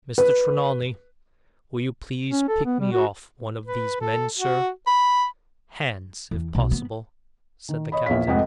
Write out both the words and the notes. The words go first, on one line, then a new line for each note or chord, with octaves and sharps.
"Mr. Trelawney, will you please pick me off one of these men, sir? Hands, if possible," said the captain.
B4
C#4
A4
B3
G3
F#4
B4
A4
F#4
B5
E2
B1
B3
D#3
C#5 D#5 B5
A#1 E2 C#5 F5 B6
F1 F2 G#2 D#5 F#5